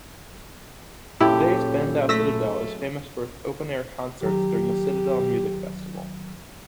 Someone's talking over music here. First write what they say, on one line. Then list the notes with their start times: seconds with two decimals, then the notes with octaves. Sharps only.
Today, Spandau Citadel is famous for its open-air concerts during the Citadel Music Festival.
1.21 F#2 A#2 C#3 E4 G4 A4
2.09 A3 E6 A#6 B6
4.23 D#3 F#3 G4 A#5